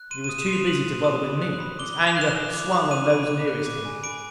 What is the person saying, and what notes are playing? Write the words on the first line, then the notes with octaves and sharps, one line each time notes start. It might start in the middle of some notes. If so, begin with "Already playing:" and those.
But he was too busy to bother with me; his anger swung on those nearest him.
Already playing: F#6
C6 D#7
D#7
D#6
E7
C6 F7
F#6 F#7
C6
D#6
B5
F#6
B5
D6 G7
G7
B5
F7
F#6 E7
B5
D6
B5
F#6 D#7
B5
D6
F#6
D6
G#5
B5 D7